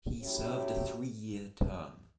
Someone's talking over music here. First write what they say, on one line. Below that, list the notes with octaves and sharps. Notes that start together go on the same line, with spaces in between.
He served a three-year term.
A2 F#3 C#4 E4 G4